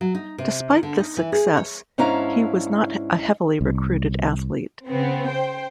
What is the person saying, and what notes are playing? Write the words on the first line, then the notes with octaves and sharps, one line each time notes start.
Despite this success, he was not a heavily recruited athlete.
F#3
D#4
C3
D#3
D3
D#4
E3
G#4
C#5
G#2 C#4 D4 E4 F5 A#5
C2
C#3 B3 C4
C5 G5